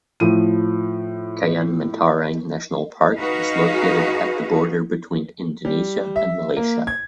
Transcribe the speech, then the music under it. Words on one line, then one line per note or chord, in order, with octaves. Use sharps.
Kayan Mentarang National Park is located at the border between Indonesia and Malaysia.
A2 F3 D#7
D#4 F#4 G#4 B4 D#5 F5
G3
E5
A#3
G#6